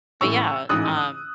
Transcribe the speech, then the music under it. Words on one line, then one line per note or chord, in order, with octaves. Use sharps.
But yeah, um
A1 A2 E3 C#6 E6
A1 G#2 E3 D#6 F#6